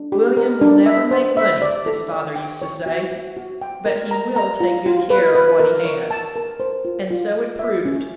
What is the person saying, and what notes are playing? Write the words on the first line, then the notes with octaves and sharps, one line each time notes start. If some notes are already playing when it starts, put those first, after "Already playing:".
"William will never make money," his father used to say; "but he will take good care of what he has." And so it proved.
Already playing: D4
G4
A#4
D4
E5
C5
E5
D5
A4
D5
G5
C#5
F#4
F#4
F#4
G5
A#4
A#5
A#5
F4
F4
B4
B4
A#4
C#5
A5
A#4
C5
F4
F4
F4
E5
C#4